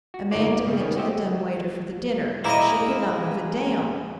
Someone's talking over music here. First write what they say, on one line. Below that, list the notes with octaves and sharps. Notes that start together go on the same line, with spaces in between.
Amanda went to the dumb-waiter for the dinner, but she could not move it down.
F#4
G1 A#3 D#4 C#5 D5
D5
C#3 G3
D#3 B3 C#5 G#5
F#4 G4 C5 D#5 E5 G5
G#3 E4 C5 D#5 F5 A#5 D6